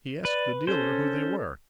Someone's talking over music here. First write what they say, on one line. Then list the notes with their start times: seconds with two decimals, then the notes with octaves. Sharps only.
He asked the dealer who they were.
0.25 B4 D5
0.67 C#4 A4 C5